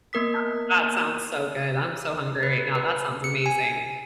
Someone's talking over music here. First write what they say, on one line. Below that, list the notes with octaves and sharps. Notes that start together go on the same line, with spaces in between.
yeah, that sounds so good, I'm so hungry right now, that sounds amazing.
A#3 B3 A#4 D#6 B6
B4
B4
C#7
G#5